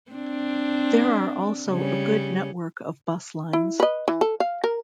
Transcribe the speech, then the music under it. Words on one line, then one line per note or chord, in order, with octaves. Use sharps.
There are also a good network of bus lines.
C4 D4
C#3 G3 C#4
E4
B4 D#5
E3
A4
F5
A#4